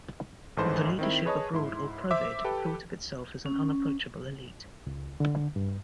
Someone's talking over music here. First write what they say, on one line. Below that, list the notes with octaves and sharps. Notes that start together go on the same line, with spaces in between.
The leadership abroad, or "Provid", thought of itself as an unapproachable elite.
A1 G#2 E3 A4 B4 C5
D#3 C4 E4
G#4 B4 C#5 D#5 A5 D#6
G#2 E4 C6
C5 E5 D6
G4 A4 B4 G5
C#4
C#2
D3
G2